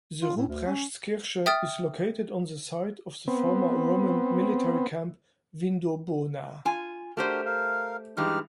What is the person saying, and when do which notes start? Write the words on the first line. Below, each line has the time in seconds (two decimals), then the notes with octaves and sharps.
The Ruprechtskirche is located on the site of the former Roman military camp Vindobona.
0.22 F4
0.37 A2
0.48 D2
0.67 C#4
1.46 E5 G5 D#6 F6 A6
3.28 B3 C4
6.65 F4 G#5
7.17 A3 D4 F#4 G4 A#4 C5
7.45 A#4 F5
8.17 G2 E3 G#3 D#4 G4 F6